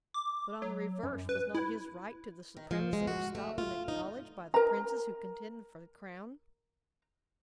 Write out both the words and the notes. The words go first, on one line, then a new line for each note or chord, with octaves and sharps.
But on the reverse, was not his right to the supremacy of Scotland acknowledged by the princes who contended for the crown?
D6
F#3
F#2
B4
E4
D#3
F3
G#3
F#4
A3
F4
D#4
A#4 A#5